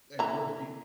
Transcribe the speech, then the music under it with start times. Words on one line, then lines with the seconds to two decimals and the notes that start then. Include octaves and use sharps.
and will she m
0.19 E3 C#4 A#5